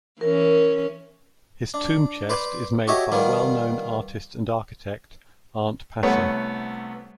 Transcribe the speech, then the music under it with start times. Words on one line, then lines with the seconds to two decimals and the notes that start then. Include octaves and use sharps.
His tomb chest is made by well-known artist and architect Arent Passer.
0.21 E3 C#4 A#4
1.74 D4
2.30 B4 C5 D5
2.87 F#4 G4 A4 C#5 D#5 E5
3.12 D#3 F3 G3 B3
6.03 C2 A3 B3 C#5 F#5